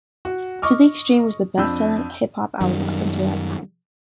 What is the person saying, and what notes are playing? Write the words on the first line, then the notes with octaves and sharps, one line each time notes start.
"To the Extreme" was the best selling hip hop album up until that time.
F#4
D#5 C#6 D6 F6
F2 D4 B5 E6 G6
F#2 D#3 G3